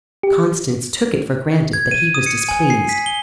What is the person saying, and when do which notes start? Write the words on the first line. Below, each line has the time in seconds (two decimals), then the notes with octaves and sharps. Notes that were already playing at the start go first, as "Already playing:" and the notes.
Constance took it for granted that he was displeased.
0.23 G4
1.73 G#6
1.91 D#7
2.14 D#6
2.26 C#7
2.49 G#5
2.70 C7
2.89 B6
3.06 G7